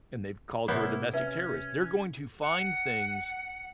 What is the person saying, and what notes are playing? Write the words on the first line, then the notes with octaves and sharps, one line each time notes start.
and they've called her a domestic terrorist, they're going to find things
C3 A#3 B3 E4 C#5
C#4 B4 E5 A#5
F#5